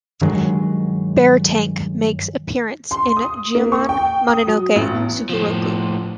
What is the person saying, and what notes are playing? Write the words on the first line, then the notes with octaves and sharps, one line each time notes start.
Beartank makes appearance in Goemon Mononoke Sugoroku.
G2 D#3 F#3 G#3
C6
D#6
A#3
C#6
G5
D#6
F#3
A1
E2
A2 F3